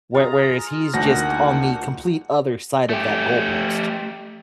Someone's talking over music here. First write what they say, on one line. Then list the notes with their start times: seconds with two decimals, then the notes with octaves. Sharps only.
where whereas he's, just, on the complete other side of that goalpost
0.14 F4 G#4 A#5
0.94 D2 A#3 D4 D#4 F#4 C5 F#5 A#6
2.89 A3 G4